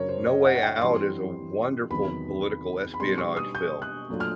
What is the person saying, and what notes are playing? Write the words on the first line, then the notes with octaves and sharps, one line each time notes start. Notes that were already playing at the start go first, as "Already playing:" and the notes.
No Way Out is a wonderful political espionage film,
Already playing: F#2 C#3 F#3 A#4 C#5
C5
D#5
F#5
F#5
G5
G2 E3 G3 C4 C6
E2 C3 D#3 F#3 B3 B5
B5
B2 G3 B3 D#4 C6
C#6
D#6
G6
F#6
A#2 F#3 A3 D4 F4
F6